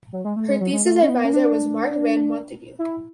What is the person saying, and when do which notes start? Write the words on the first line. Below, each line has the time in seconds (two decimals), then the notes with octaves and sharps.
Her thesis advisor was Marc Van Montagu.
0.13 F#3
0.25 G#3
0.36 A3
0.49 G#3
0.61 F#3
0.73 G#3
0.85 A3
1.03 C#4
1.09 B3
1.25 C#4
1.33 D4
2.79 E4